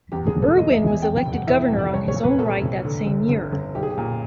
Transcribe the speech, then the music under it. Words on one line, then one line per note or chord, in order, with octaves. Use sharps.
Irwin was elected governor in his own right that same year.
E2 G4
G#4
E1
A4
B2 D#5
E5
E1
G#5
F2 G5
G5
F1
F#5
E3 E5
F2
D5
C2 C#5
C#5
A#2
B4
A#2 A4
C2
D3
G1
G1
G1
B1 G4
G#4
G4
A#2